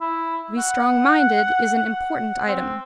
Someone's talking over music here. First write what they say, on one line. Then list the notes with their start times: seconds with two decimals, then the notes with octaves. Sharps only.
To be strong-minded is an important item.
0.01 E4
0.58 F#5
1.86 F#5
2.47 C4